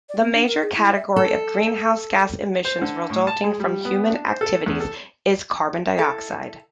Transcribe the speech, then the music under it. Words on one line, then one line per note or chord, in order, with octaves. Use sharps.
The major category of greenhouse gas emissions resulting from human activities is carbon dioxide.
D5
B3
D4
A#4
G#4
E4
E5
A4
C5
D3
A2
A5
G#3
G3
B3
D4
C5
A4
E2
A4
E4 A4